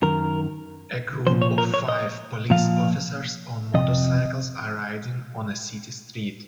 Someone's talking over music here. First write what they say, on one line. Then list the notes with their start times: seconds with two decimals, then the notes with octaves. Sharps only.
A group of five police officers on motorcycles are riding on a city street.
0.02 F#2 D#3 A#4
1.27 A#2 F3 C5
1.42 C#5
1.58 A#4
1.74 C#5
1.88 D#5
2.50 A#2 F3 F5
3.74 F2 C3 D#5